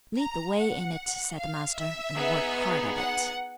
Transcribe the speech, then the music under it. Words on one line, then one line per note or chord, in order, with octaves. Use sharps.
"Lead the way in it," said the Master, "and work hard at it."
A#5
F#5
F5
E5
B3 D#4 G#4
F#5